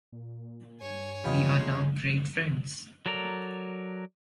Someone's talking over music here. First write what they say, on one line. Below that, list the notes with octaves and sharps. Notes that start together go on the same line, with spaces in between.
We are now great friends.
A#2
G2 C#5 G#5
G1 E2 G3 F4 B4 D#5
G#3
F#3 A4 A#4 D5 A#5